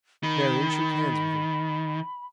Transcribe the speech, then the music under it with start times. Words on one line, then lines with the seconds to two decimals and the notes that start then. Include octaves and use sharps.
Marian shook hands with him.
0.23 D#3 B5